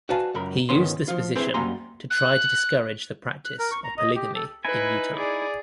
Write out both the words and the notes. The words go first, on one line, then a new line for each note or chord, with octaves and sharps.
He used this position to try to discourage the practice of polygamy in Utah.
F#4 B4 D5 F5 G#5 A5
C#2 F#2 A#4 B5
C#2 G#2 D#3 B3 C#4 C6
F3 F4
C4 E4 G#4 B4 C5
F#2 G3 A#3 G#5 A#5 C6
F#6
F#6
A#4
C#6
A#5
D#5
G4
A4
D#4 E4 B4 G#5
G#4 D5